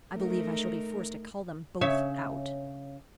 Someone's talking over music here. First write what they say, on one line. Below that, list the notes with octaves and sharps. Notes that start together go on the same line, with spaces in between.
I believe I shall be forced to call them both out.
A3 D#4 A#4
C#3 C#5 E5